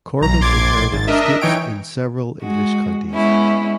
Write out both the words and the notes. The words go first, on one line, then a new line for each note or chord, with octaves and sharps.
Corbett inherited estates in several English counties.
B1 A#5
A#1 C6 D6 G#6 A6
G#1 A6
D4 A#4 D#5 E5
E3 D#4 C#5 G5 D7
G#3 F#4
G#3 B3 C#4 E4